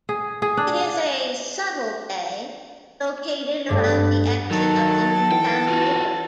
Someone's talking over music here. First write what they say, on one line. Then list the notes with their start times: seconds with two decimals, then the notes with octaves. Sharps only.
It is a subtle bay located around the exit of the Newtown River.
0.09 G#4
0.42 G#4
0.57 D4
3.68 G2 A3 D4 D5
4.51 D#3 F#3 A4 A5
5.32 E3 G5
5.68 F4 F#4